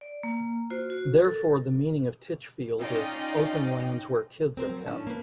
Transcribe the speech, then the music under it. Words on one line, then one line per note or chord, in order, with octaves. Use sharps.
Therefore, the meaning of Titchfield is 'open lands where kids are kept'.
D5
A#3
F4 F#4 C5
F#4
A4 A#4
C#4 D#4 F4 D5 D#5 G5
C4 A#4 C5
F#3
A2 D#3 C#4 D4 A5
A#3 B4